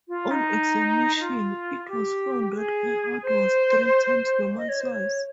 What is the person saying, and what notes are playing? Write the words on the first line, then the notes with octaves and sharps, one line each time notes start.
On examination it was found that her heart was three times normal size.
F4
D#4
F4
G4
G#4
C5
D#5
C#5
C5
C#5